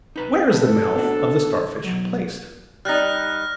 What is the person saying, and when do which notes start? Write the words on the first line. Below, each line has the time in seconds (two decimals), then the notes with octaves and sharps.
Where is the mouth of the Starfish placed?
0.16 D#4 B4 A#5
0.51 A4 B4
0.96 B3 D4 F#4
1.84 B1 F#3
2.85 G3 D#4 F6 F#6 A#6